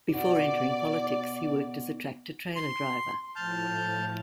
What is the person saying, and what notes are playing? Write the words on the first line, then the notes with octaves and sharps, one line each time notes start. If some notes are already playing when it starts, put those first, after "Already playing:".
Before entering politics, he worked as a tractor trailer driver.
B2 D5
C6
A2 F3 A5 F6 G6